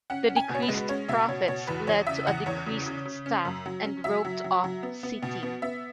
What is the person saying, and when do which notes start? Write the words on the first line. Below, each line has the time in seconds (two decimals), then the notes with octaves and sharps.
The decreased profits led to a decreased staff and roped off seating.
0.10 C#4 F#5
0.29 C#4
0.36 G#5
0.49 B2
0.55 C#5
0.62 B4
0.68 G#3
0.89 C#4 C#5
1.08 B2 E5
1.28 B2 C#5
1.48 B2 C#5
1.67 E2 B4
1.87 E2 C#5
2.07 C#3 E5
2.27 E2 F#5
2.46 E2 C#5
2.66 C#3
2.86 C#3
3.05 C#3
3.26 C#4
3.45 F#2
3.66 F#3
3.84 C#4
4.04 F#3 E5
4.25 F#3
4.44 F#3
4.64 F#3
4.83 B3
5.03 B3
5.22 B2
5.43 B3
5.62 B3 E5